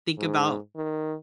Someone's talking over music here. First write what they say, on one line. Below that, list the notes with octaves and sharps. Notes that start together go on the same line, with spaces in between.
think about“
G#2
D#3